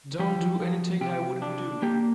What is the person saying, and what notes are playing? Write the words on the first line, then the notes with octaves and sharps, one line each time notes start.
Don't do anything I wouldn't do.
F3 G4
F3
C3 G4
D4
A#3 G4